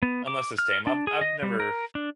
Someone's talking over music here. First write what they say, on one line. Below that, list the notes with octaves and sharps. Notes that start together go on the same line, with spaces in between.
unless it's tame, I've I've never
B3
D6
F6
D4
G#4
D#5
G3
A#4
D4